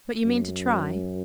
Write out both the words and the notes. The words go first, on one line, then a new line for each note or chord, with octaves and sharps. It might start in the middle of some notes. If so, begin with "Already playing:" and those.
"But you mean to try?"
F#2